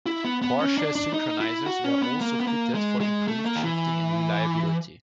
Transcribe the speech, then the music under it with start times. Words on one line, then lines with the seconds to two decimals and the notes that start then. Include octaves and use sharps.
Porsche synchronizers were also fitted for improved shifting and reliability.
0.06 E4
0.25 B3
0.42 B3
0.60 C#4
0.78 D4
0.95 D4
1.13 D#4
1.40 E4
1.66 F#4
1.84 C#4
2.02 B3
2.21 A#3
2.40 B3
2.47 A#3
2.75 G#3
3.01 G#3
3.28 A3
3.45 A#3
3.56 D#3
3.64 E3